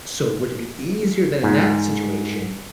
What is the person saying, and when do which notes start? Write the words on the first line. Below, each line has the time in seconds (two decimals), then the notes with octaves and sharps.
So, would it be easier than in that situation
1.43 G#2